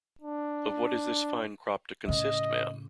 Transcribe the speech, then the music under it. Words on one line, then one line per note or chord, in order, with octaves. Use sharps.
Of what is this fine crop to consist, ma'am?
D4
A2 C#3 D#5